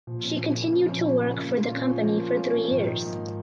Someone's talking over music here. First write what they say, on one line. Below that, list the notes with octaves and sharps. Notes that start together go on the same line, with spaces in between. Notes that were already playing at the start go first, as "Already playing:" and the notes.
She continued to work for the company for three years.
A#2 F3
C#4
A#3
C#3
F3
C#4
A#3
C#3
A#2 A#3
F4
C#4
F3
A#3
F4
C#4
F3
G#2 D#3
D#4
A#3